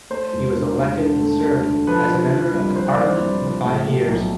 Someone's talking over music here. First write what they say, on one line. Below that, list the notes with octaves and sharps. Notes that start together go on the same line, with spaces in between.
He was elected and served as the Member of Parliament for five years.
A3 C5
E1
D3
E1
D3
A3
D2
D3
F3 B4
F3
F3
C2
F3 C5
D5
C2
C5
C2
F3
A2
A2
B1